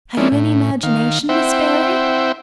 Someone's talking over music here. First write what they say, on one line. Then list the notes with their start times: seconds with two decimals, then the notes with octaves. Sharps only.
Have you any imagination, Miss Barry?
0.17 F3 G#3 A#3 C#4 D4 E4
0.32 A2
0.83 D#3 F5
1.29 C4 E4 C5 E5 F#5 G5